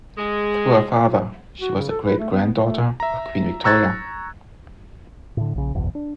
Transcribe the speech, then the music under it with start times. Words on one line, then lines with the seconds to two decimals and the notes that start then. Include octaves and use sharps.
Through her father, she was a great-granddaughter of Queen Victoria.
0.17 G#3
1.61 F#4
1.77 C#3
1.90 A4
2.05 B4
2.19 A3
2.31 B3
2.63 A3
3.00 E5 A#5
3.64 A#5 C#6 E6 F#6 G#6 A6
5.37 A2 D3
5.55 A#1 C#3
5.75 F#1 B1 E2
5.95 D4